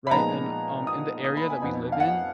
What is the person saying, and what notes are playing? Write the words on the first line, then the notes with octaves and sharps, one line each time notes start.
right, and, um, in the area that we live in,
B5
A#2 F3 G#3 B3 D#4 A#5
D#6
D#6
B5
G#5
F2 F3 B3 D#4
F5
F#5